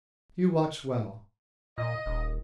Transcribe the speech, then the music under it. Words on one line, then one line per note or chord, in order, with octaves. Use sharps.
You watch well!
A#2 D#5
D#1